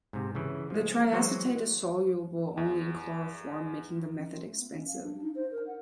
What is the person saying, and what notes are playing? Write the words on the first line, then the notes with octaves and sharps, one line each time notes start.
The triacetate is soluble only in chloroform making the method expensive.
G#2 C3
C#3 E3
F3 G#3
E3 F#3 G#3 F#4 C5 F#5
E2
C#4
F4
A3
B3
C#4
F5
D4
D#4
C5
A#4
F#5